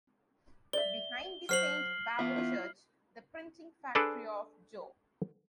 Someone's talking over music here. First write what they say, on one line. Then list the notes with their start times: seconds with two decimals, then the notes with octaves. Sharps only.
Behind the Saint Bavochurch the printing factory of Joh.
0.73 D5 E5 G7
1.49 F#3 C5 F6 C7 F#7
2.19 B3 F4 E5
2.36 E4 F4
3.95 D4 G#4 A4 B4 C5 D5